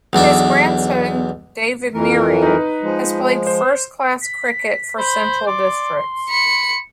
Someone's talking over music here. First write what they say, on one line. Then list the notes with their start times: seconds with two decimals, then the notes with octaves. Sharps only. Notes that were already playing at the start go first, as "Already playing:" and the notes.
His grandson, David Meiring, has played first-class cricket for Central Districts.
0.13 B1 E2 D4 E5
1.94 F2 E3 A#4
2.43 D#4 B4
2.83 F3 G#3
3.47 C5
4.21 B6
4.98 C5 B5
5.47 D5 C6
6.30 B5 C#7